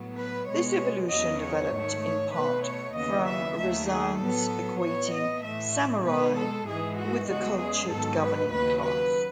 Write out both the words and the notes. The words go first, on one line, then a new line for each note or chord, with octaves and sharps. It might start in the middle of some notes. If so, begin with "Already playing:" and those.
This evolution developed in part from Razan's equating samurai with the cultured governing class.
Already playing: A2 F#3 B3
B4
B2 G#3 B3 C#5
E2 C#3 F#3 B3 D#5
C#5
G#2 D#3 A3
B2 A3 B4
C#5
D#2 C#3 E3 B3 D#5
E5
D#2 D#3 A3 E5
G#4
A2 F#3 B3 A4
A2 E3 B3 C#5
D#5
A2 E3 A3 E5
B2 G#3 B3 B4
A4
G#2 E3 G#3 G#4
F#4
E2 C#3 G#3 F#4
G#4
G#2 D#3 F#3 B3 A4
B4
D#2 C#3 F#3 B4
B4